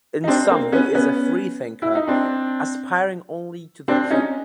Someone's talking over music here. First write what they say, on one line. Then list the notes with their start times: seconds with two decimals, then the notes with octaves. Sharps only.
In sum he is a free thinker, aspiring only to the truth.
0.24 D#4
0.27 C4 D4
0.50 A#3 C4
0.72 B3 C#4
0.95 B3 C#4
1.82 E4
1.95 D#4
2.07 C4 D4
3.88 C4 D4
4.10 C#4 D#4